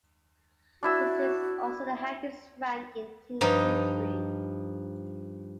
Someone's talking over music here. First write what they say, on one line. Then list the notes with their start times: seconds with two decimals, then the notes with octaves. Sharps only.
This is also the highest rank in team's history.
0.83 D4 E4 F#4 E6
3.41 G2 F3 D#4 D#5